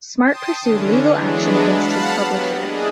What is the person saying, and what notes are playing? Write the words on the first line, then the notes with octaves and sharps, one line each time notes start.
Smart pursued legal action against his publisher.
G5 A5 C6 D#6
D3 E3 C#4 D4
E3 F#3 G#3 B3 D4
F5 F#5 A5 B5
F#3 B3 G4
A#3 D4 E4 G#4 D#5